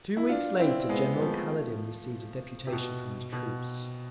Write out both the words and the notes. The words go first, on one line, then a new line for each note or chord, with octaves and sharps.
Two weeks later General Kaledin received a deputation from his troops.
E4
D4 F4
C4 E4
G#3 B3
B3
F3 A3
C3
B2
B2